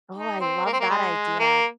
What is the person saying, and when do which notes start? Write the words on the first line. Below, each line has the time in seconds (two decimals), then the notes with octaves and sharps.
Oh, I love that idea.
0.16 D#4
0.40 C4
0.66 A#3
0.73 C4
0.80 A#3
0.90 G#3
1.39 A#3